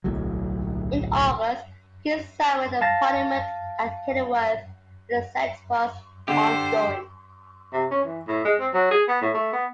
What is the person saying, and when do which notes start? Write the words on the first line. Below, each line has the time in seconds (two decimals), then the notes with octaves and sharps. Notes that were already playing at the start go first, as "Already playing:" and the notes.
In August, the king summoned a parliament at Kenilworth, where the siege was ongoing.
0.04 D1 B1 A2 F#3
2.81 F5 A5 A6 A#6
6.28 D3 G4 A4 C5
7.73 C3
7.91 C#4
8.04 E3
8.27 A2
8.45 G#3
8.60 C4
8.74 F#3
8.91 G#4
9.08 B3
9.22 A2
9.35 A3
9.53 B3